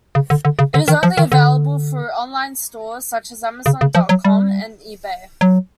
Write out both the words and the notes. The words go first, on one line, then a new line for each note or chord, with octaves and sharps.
It is only available through online stores such as Amazon dot com and eBay.
C#3
D3
D3
C#3
D3
D#3
F3
D#3
D3
C#3
C#3
F3
F#3
G3
F#3